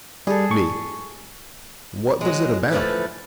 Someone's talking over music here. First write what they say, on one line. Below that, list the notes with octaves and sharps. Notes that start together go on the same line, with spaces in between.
ME: What was it about?
G3 G#4 A4
C#6
F#3 G#3
E3 F3 A3 A4 B4